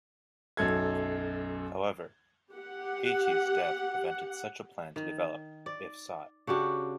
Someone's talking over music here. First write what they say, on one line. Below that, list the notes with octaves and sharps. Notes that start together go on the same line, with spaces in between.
However, Aetius' death prevented such a plan to develop, if sought.
B1 F#2 A4 G#6
G4 F#5
D#3
D5
C#3 D4 F#4 G4